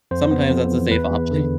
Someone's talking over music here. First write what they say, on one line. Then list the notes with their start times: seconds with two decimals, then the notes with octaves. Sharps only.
sometimes that's a safe option.
0.11 F2 C5
0.31 B3
0.51 F2
0.71 E3
0.91 E2 B4
1.11 E2
1.31 D3